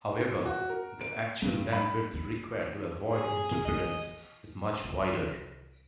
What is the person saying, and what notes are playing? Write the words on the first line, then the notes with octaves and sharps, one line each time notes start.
However, the actual bandwidth required to avoid interference is much wider.
F#4
A#4
D7
G2
B5
G#4
D#5
C2